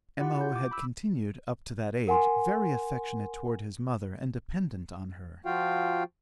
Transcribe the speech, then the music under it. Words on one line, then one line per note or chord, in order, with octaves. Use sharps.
M.O. had continued up to that age very affectionate toward his mother and dependent on her.
E4 F4 G4 F#5
G6
D6
B5 E6
A#4 F#5 G#5 C6
F3 F4 F#4 F5 G5